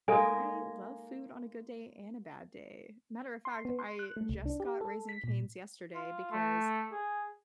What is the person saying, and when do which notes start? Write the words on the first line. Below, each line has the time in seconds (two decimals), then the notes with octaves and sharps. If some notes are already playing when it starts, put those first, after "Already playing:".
I love food on a good day and a bad day, matter of fact, I just got Raising Cane's yesterday because
0.08 G#3 A#3 D#4 A4 G#5
3.45 C6
3.65 B3
3.79 C6
3.99 F#6
4.17 A3
4.29 C2
4.46 D4
4.60 G4
4.81 A4
5.09 B6
5.24 A#2
5.95 F4
6.31 A3
6.92 G#4